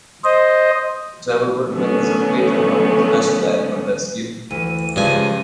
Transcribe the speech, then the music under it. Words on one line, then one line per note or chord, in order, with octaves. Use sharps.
Trevor Woodman is a patron of International Animal Rescue.
C5 D#5
D3 E3 F#3 A3 B3 C#4
D2 E3 D#7
G2 C#3 F3 G#3 G#5